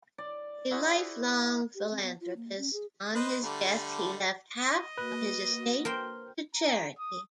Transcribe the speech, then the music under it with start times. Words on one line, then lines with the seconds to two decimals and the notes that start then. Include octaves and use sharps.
A lifelong philanthropist, on his death he left half of his estate to charity.
0.18 D5
0.71 E4 F#4 G#4 C5
1.75 G4
1.91 C4
2.02 B3
2.20 F4
2.36 A#3
2.58 C#4
2.73 G#4
3.16 B4 C5 D#5
3.43 D3 G3 A3
4.63 D#5
4.98 A#3 F#4 B4
5.85 A#4 C5 G5
6.55 A#5
6.99 D#6